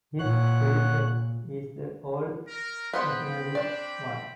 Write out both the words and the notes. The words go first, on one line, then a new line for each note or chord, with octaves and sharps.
His religion is the old rationalist one.
A#2 C#5 F#5 F#6
A#4
B3 C4 C5 F#5 G5 B5
D4 D5